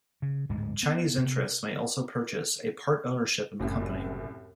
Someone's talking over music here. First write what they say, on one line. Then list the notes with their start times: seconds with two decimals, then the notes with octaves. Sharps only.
Chinese interests may also purchase a part-ownership in the company.
0.22 C#3
0.49 D1 D2 G#2 G#3
0.83 B3
1.17 C3
3.60 F#1 C2 F#2 A2